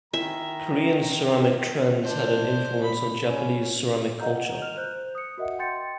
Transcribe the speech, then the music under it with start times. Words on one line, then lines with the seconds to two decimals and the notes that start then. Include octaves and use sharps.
Korean ceramic trends had an influence on Japanese ceramic culture.
0.13 D#3 E4 E5 G#5 A#5
2.03 D4 C5
2.83 B5
3.25 C#4
4.19 D#5 F#5 A#5 G6
4.62 F6 F7
4.77 C5 F#6 G6
5.15 D#6 C#7
5.38 F#4 A#4 D#5 E5 F#5
5.59 G5 C6 G6 A6 C#7